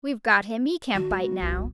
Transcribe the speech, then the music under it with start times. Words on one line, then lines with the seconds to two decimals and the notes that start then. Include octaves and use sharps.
"We've got him; he can't bite now."
0.95 D#3 F#4
1.11 G#3 B3
1.40 D#1 C2